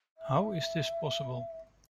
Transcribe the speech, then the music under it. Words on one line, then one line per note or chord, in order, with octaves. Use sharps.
How is this possible?
E5